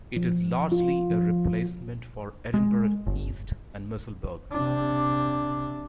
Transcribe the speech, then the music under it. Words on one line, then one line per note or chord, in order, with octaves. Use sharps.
It is largely a replacement for Edinburgh East and Musselburgh.
F3
F4
F3
G#3
G1
C3 D4